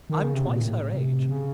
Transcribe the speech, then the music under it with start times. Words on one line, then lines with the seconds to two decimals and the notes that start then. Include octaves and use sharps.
I'm twice her age.
0.10 D#3
0.22 C#3
0.34 C3
0.46 A#2
0.60 A2
0.94 C3
1.29 C#3